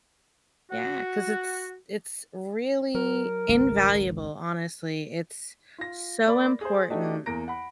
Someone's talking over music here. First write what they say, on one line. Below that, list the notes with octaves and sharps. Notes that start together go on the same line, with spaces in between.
yeah, ‘cause it's it's really invaluable, honestly, it's so important.
F#4
F#3 A#4
G#1 C#2
F4 A#6
A#3 D5 B5
G#4 C5
A3 D4 D#4 F#4 G4
E2 A#3 A#4 A#5 A#6 D7
F#5 B5